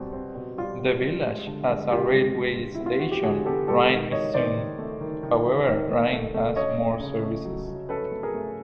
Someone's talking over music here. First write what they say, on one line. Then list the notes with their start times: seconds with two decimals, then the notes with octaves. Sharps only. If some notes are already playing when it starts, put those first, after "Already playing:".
The village has a railway station Rheine-Mesum, however Rheine has more services.
Already playing: B2 G3 C4
0.13 C4
0.35 B2
0.58 G3 F4
0.79 B2
1.01 G3
1.24 G#3
1.47 D3
1.69 G#3
1.90 D3 F4 G4
2.13 G#3
2.35 G#3
2.57 G#3
2.75 E4
2.80 B3
2.86 F4
3.00 F3 F#4
3.11 G4
3.23 D3 F#4 G#4
3.45 B3 G4 A4
3.68 G#3 G4 A4
3.90 D#3
4.12 D#3 C#5 D#5
4.34 D#3 C5 D5
4.57 D#3
4.79 A3
5.01 D#3
5.23 D#3
5.45 D#3
5.68 D#3
5.90 D#3
6.12 A3
6.34 A3
6.56 C#4 C#5 D#5
6.78 A3
7.00 C#3
7.23 A3
7.45 F#3
7.68 F#3
7.89 C#4 A4 B4
8.12 A3
8.23 G#4 A#4
8.34 A3